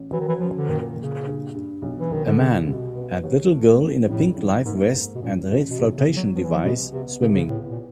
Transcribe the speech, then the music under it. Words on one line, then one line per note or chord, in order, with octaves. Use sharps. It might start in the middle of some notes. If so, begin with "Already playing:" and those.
A man and little girl in a pink life vest and red flotation device swimming.
Already playing: A1
E3 F#3
D#3
E3
F#1 F3
D3
A#2 D#3
A#2 C#3
G2
G2
B1
E3
B1 D#3
D3
C2 C#3
C2 B2
B3
D#2
A3
A1
F1 A2
F1
G#2 A#3
G#2
B2
A1 A#2
A1 B2
B2
B1 C3
C#3
B1
F#3
F3 B3
E3
F3
C2 B2
C3 B3
C2 C#3
C3
C#3
A2 B3
A#2